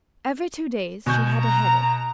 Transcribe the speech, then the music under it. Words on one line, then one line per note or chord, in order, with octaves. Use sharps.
Every two days she had a headache.
B2 G#5 C#6 G6
A#5